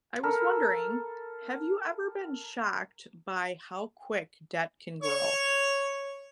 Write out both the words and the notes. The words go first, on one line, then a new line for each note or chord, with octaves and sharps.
I was wondering, have you ever been shocked by how quick debt can grow?
A4 A#4 B5
C#5